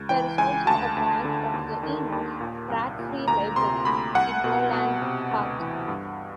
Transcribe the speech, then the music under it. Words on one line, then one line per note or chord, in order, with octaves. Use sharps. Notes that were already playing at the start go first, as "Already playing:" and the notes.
There is also a branch of the Enoch Pratt Free Library in Roland Park.
Already playing: C#2
E3 G5
C#2 G#5
D2 A5
D2
D3
D#2
D#3
D#2
A#2
C2
A#2
D2 A#5
C3 C6
D2 B5
C2 F#5
B2
B2
C3
D2
E3
G2